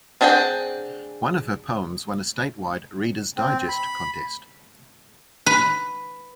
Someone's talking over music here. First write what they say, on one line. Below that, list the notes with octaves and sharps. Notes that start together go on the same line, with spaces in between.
One of her poems won a statewide "Reader's Digest" contest.
C4 D4 G#4 F#5 G5
C4
B5
B4